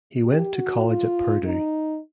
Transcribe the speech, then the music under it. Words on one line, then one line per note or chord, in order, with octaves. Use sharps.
He went to college at Purdue.
G4
F#4
F4
D#4